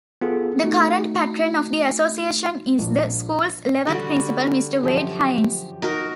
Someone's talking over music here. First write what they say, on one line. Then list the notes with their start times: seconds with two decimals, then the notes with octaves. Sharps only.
The current Patron of the Association is the school's eleventh Principal, Mr Wade Haynes.
0.21 B3 F4 G#4 A4
0.64 A3 D#4 F#4
2.79 A#1
3.87 D3 G3 F#4
4.83 F#2 F3 G4
5.82 D#4 F#4 A#4